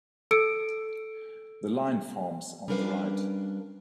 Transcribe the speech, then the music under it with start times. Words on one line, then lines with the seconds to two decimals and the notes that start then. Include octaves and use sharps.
The line forms on the right.
0.31 A4 E6 C#7 D7
2.68 G3 C#4 D4 A#4 B4 F5